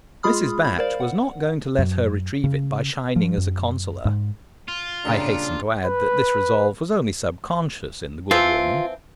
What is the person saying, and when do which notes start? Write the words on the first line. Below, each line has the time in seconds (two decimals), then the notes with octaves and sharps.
Mrs. Batch was not going to let her retrieve it by shining as a consoler. I hasten to add that this resolve was only sub-conscious in the good woman.
0.23 G#3 F4 G#4 B5 D#6 F6
0.64 B5
0.79 A#4 C5 D5 F5
1.00 F#5
1.79 F#2
2.44 C#3
3.16 F3
3.38 F#2
4.05 G#2
4.68 F4
5.05 A#2 C#3 G3 A#3 D4
5.84 B4
8.31 E3 F3 C4 F4